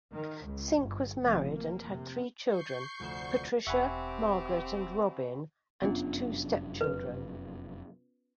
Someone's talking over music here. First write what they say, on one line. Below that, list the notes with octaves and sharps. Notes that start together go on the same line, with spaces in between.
Sink was married and had three children, Patricia, Margaret, and Robin, and two stepchildren.
D#3
C#2
G1
F1
A#3
C3
C#6 G6 C7
F1 D2 E7
E1 C4 G4 E5 F#5 G#5 B5 C#6
F1 F#2 B3 C#4 D4 F4
B4